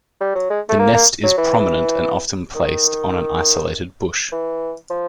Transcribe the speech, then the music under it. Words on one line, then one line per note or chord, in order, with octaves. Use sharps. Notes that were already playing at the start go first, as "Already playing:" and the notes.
The nest is prominent and often placed on an isolated bush.
G3
F#3
G#3
A3
A#3
A#3
F#3
E3
D#3
E3
F3